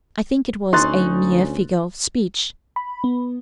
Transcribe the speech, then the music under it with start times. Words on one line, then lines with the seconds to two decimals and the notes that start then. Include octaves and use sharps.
I think it was a mere figure of speech.
0.73 D2 C#4 D#4 C6 F#6 A6
2.76 B5
3.04 B3